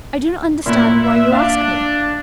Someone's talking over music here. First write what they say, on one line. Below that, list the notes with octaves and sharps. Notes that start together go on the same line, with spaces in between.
"I do not understand why you ask me."
A#2 B3 C#4 E4
E5
D4 F5